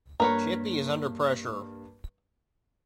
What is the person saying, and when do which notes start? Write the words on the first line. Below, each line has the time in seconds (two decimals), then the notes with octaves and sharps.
Chippy is under pressure.
0.20 G2 A#3 A#4 B4 C#5